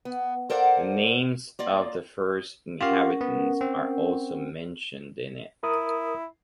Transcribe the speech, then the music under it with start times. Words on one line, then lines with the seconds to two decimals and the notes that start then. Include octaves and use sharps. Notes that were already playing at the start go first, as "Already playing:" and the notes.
The names of the first inhabitants are also mentioned in it.
0.05 B3
0.50 A4 A#4 C5 D5 F5 F#5
1.59 A#3 F4 D5
2.81 C#4 F4 G4 A#4 F5 F#5
3.21 B3
3.61 C4
5.63 E4 A#4 D#6